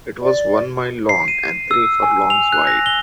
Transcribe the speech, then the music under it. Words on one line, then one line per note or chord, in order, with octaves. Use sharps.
It was one mile long and three furlongs wide.
D5
C7
D#7
E6
G#5
F7
F#6
A#6
G7